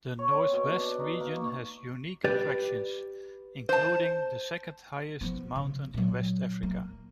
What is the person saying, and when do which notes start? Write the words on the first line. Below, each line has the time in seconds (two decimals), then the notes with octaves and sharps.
The Northwest region has unique attractions, including the second highest mountain in West Africa.
0.19 C#5
0.34 C4
0.53 B2
0.78 D4
0.99 D#4
1.20 A#3
1.36 C#6
2.24 G4 B4 D5
3.69 C5 A5
5.21 F3 B3
5.56 C#3
5.94 A#2 F#3
6.63 A#3